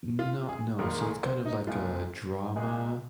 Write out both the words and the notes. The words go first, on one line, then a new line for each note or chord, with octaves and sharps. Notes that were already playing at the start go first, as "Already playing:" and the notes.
No, no, so it's kind of like a drama
F4
G#4
A#1 G#2 D#3 A#3 A#4
G#4
C5
D#4
C2 A#2 G#3 F4
C2 A#2 G#3 G#4